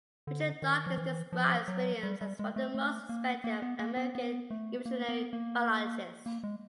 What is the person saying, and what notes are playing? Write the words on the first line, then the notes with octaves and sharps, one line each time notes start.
Richard Dawkins describes Williams as "one of the most respected of American evolutionary biologists".
D3
D#3
F3
E3
F3
F#3
G3
G3
G#3
A3
A3
A#3
A#3
B3
A#3
B3
B3
A3
A#3
B3
A#3
A#3
G#3